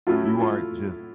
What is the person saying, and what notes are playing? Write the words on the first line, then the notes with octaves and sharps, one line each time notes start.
you aren't just,
A2 F#3 A3 C#4 F4
E4
F4